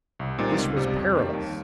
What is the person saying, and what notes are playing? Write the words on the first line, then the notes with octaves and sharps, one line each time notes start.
This was perilous.
C2
A#2 G3 C4 D#4
C#2
C3 G3
F2
D#3 G3 A#3
D#2